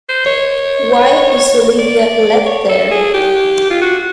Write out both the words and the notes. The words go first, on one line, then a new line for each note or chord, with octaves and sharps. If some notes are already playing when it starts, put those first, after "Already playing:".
Why is Olivia left there?
C5
C#5
D5
C#5
A4
G#4
G4
F4
F#4